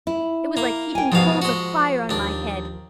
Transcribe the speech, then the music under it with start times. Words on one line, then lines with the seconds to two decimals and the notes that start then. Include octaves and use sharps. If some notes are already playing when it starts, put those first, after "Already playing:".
It was like heaping coals of fire on my head.
0.07 E4
0.57 A#3
0.95 G5 G#5
1.12 G#2 B2 F3 G#4 F5
1.42 G#3 F#4
2.09 D#2 D4